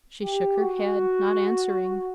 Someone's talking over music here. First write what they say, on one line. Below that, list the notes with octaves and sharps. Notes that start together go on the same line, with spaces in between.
She shook her head, not answering.
G4
F#4